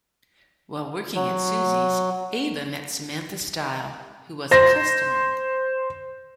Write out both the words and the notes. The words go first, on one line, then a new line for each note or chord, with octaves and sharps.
While working at Suzy's, Ava met Samantha Style, who was a customer.
F#3
C5 A#6